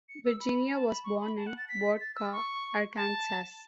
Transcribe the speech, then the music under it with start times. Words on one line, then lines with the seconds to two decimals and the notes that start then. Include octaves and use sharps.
Virginia was born in Bodcaw, Arkansas.
0.09 C#7
0.25 E6
0.40 B5
0.73 A5
0.88 B5
1.04 C#6
1.21 B5
1.37 A5
1.46 F#5
1.58 A6
1.69 B6
2.01 A6
2.16 E6
2.32 C#6
2.96 A5